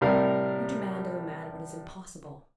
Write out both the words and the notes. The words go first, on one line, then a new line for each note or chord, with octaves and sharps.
You demand of a man what is impossible.
A2 C3 G3 A#4 F5